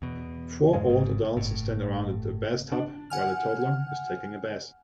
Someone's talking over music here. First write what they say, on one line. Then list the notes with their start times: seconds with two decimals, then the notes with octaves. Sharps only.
Four old adults stand around a bathtub while a toddler is taking a bath.
0.02 E2 B2
0.73 F2 G#2 C#3 G#3
0.89 G#1 G#2
1.37 G1 A2
2.72 D4
3.10 F#5 G#5 F6